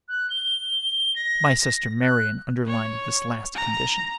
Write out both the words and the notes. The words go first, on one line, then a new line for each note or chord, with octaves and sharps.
My sister Marian underlined this last condition.
F#6
G7
A#6
F#6
C#5
A#5